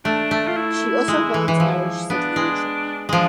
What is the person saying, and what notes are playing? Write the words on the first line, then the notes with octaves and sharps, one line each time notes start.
She also holds Irish citizenship.
A3 D4
A3
F4
E4
G#3
E3
E3
F3 E4
B3 D4
G#3
F3 G#3 D4